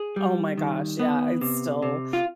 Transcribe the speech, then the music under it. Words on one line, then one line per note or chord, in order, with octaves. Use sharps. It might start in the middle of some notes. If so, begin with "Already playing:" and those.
Oh my gosh, yeah, it's still
Already playing: G#4
G3
D#3
B3
C3
C3
F4